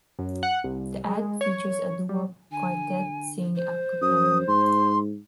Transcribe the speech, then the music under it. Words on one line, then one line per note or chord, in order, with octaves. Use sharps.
The ad features a doo-wop quartet singing a cappella.
F#2
F#5
C2
G#3
C#5
G3
D3 G#5
C5
F#2 D#6
G#2 C6